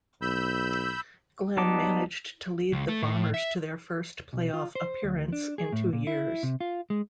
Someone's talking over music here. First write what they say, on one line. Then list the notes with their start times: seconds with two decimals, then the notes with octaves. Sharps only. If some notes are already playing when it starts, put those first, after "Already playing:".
Glenn managed to lead the Bombers to their first playoff appearance in two years.
0.22 B1 B5 E6 G6
1.57 G3 B3 D#4 A5 D6
2.72 C#2
2.88 A3
3.02 A2
3.34 E5
4.33 B1
4.54 F4
4.75 C5
5.03 D2
5.33 D4
5.58 G#4
5.72 A2
5.93 A#2
6.07 E4
6.43 C3
6.61 F4
6.90 G#3